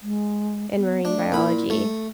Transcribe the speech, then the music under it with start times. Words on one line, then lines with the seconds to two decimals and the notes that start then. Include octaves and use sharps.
in marine biology,
0.02 G#3
0.77 B3
1.05 A3 D4
1.32 A#2 E4 B5
1.70 A3